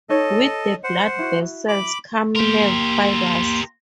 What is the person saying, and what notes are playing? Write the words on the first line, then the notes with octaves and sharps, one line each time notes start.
With the blood vessels come nerve fibers.
D#4 A4 C#5 D#5
C5 F#5
E4 F#4
B5 D6
A#3 G4 A#4 C6